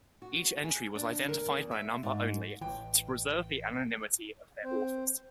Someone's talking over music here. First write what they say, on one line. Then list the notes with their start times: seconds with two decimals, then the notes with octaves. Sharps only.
Each entry was identified by number only, to preserve the anonymity of their authors.
0.22 F#4
0.63 G#4
0.96 D4
1.29 A#4
1.58 E2
1.71 E5
2.03 G#2
2.61 A1 E3 G5
4.64 C4 C5